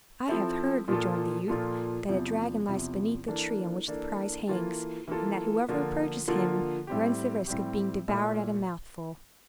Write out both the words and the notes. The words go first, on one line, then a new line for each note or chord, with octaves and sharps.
"I have heard," rejoined the youth, "that a dragon lies beneath the tree on which the prize hangs, and that whoever approaches him runs the risk of being devoured at a mouthful."
F3 C4 E4 A4
A#2 F3 A#3 F4 A4
A#2 F3 A#3 F4 A4
E2 C3 F3
E2 C3 F3
E3 A#3 D4 A4
E3 A#3 D4 A4
E3 A#3 F4 A4
E3 A#3 F4 A4
D3 F3 A#3 F4 A4
D3 F3 A#3 F4 A4
A2 G3 C4 G4
A2 G3 C4 G4
A#2 A3 E4